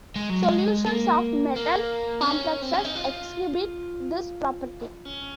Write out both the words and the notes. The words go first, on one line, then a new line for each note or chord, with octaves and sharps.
Solutions of metal complexes exhibit this property.
G#3
F#3
G#3
A#3
A#3
C4
C#4
C4
C#4
D#4
F4
C#4